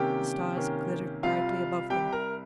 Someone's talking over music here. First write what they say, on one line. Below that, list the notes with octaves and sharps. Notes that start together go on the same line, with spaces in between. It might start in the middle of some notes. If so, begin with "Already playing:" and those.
The stars glittered brightly above them.
Already playing: C3 D#3 A#3 C#4 G4 G5
C3 D#3 A#3 C#4
C2 C3 G3 F4 F5
C2 C3 G3 G4 G5
A#4 A#5